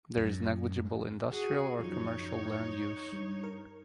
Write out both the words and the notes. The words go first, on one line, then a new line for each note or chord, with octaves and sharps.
There is negligible industrial or commercial land use.
F#2
F#4 G#4
F#2 F3 F#3 D#4 C#5
G2 C#6
A#4